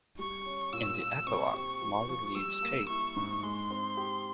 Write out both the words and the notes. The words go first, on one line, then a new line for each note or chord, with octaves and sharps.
In the epilogue, Molly leaves Case.
G3 C#6
C#4
A#2 E6
A#2
C4 C#6
G4
F3
F3
G3 E6
A#3
E4 C#6
G#2
G#3 C6
C4
G4